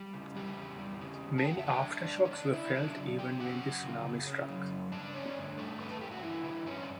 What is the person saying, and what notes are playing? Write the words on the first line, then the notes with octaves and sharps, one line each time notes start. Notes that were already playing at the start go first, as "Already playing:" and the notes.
Many aftershocks were felt even when the tsunami struck.
Already playing: G3
C#3
E2 G3 G4
E2
G3
C#3
E2
A5
E2 G5
F#5
E5
G3 D4 D5
C#3
E2
C#5
C#3 D4 D5
C#4 E4 E5
F#3 D4 D5
C#3
C#3 G4 G5
C#4 F#4 F#5
F#3
C#3
C#3
C#4
F#3
C#3
G2 D4 D5
A3 C#4 C#5
D3
G2 A3 A4
G2 B4
A4
A3 G4
F#4
D3 E3 E4
G2 E3 E4
G2 C#4 C#5
D5